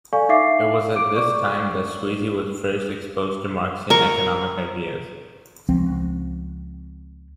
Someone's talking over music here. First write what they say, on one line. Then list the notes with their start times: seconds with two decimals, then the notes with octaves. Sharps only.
It was at this time that Sweezy was first exposed to Marxian economic ideas.
0.13 A4 D5 F5 G#5 C#6
0.29 D#4 E5 F5 D6 C7
0.96 D6 D7
1.15 D5 C#6 D6
3.90 A#4 C#6
5.69 C#2 F3 C4